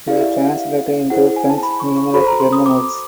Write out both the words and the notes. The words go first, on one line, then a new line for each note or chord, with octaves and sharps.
He translated into French numerous German works.
E4 G4 B4 D5 F5
E5
F#5
F5
E4 G#4 C5 F#5
G#5
A5
B5
C#6
C#6
F#4 A4 C5 B5
A#5
C6
D#6
D6